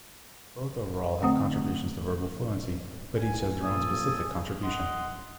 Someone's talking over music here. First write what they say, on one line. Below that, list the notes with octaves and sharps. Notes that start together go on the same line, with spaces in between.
Both overall have contributions to verbal fluency, but each has their own specific contribution.
D3 A3 C4 F#5 D#6
C2 G#5
A#2 F3 A#3 A4 G#5 D#6
D#5 F#5 C6